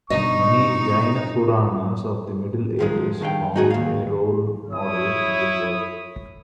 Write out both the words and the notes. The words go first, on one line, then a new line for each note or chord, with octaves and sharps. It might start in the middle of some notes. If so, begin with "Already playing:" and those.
Many Jaina Puranas of the Middle Ages found a role model in this work.
G2 B2 D3 D#4 D#5 C#6
D#3 F3 G#3
G2 D#3 F5 G5
D#4 F#4 G#4
D#2 F5
E4 C#5 D#6